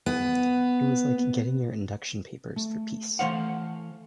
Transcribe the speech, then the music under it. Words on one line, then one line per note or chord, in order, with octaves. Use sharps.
It was like getting your induction papers for peace!
B3
A3
E3 A3 C5 F5 F#5